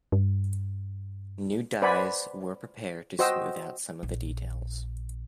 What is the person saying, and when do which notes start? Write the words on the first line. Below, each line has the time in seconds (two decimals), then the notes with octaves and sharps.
New dyes were prepared to smooth out some of the details.
0.12 G2
1.82 B4 C5 D5 F#5 G#5 B5
3.19 F#4 C5 D#5 G5 E6
4.03 A#1